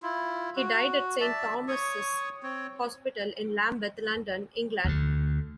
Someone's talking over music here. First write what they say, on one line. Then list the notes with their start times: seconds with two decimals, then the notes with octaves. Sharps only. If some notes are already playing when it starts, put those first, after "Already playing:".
He died at Saint Thomas's Hospital in Lambeth, London, England.
0.03 E4 F4
0.56 F#4
1.21 D5 E5 A5
1.68 C#5 C#6 D#6
2.43 C4 C#5
4.85 D2 D3